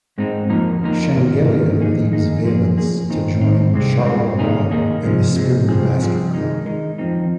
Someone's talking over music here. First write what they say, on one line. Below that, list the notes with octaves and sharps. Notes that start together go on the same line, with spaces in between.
Shengelia leaves Valence to join Charleroi and the Spirou Basket Club.
G#2 G#3 C4 D#4
F2 F3 A#3 D#4 A#4
F2 F3 A#3 D#4 A#4
G#2 D#3 A#3
G#2 D#3 A#3
F2 D#3 A#3 D#4 G#4
F2 D#3 A#3 D#4 G#4
F2 F3 A#3 G#4
F2 F3 A#3 G#4
D#2 D#3 C4 D#4
D#2 D#3 C4 D#4
C2 C3 G#3 C4
C2 C3 G#3 C4
D#2 D#3 A#3 D#4 G#4
D#2 D#3 A#3 D#4 G#4
C3 F3 G#3
C3 F3 G#3
C2 C3 F3 C4 G#4
C2 C3 F3 C4 G#4
D#3 G#3 D#4
D#3 G#3 D#4
F2 F3 C4 D#4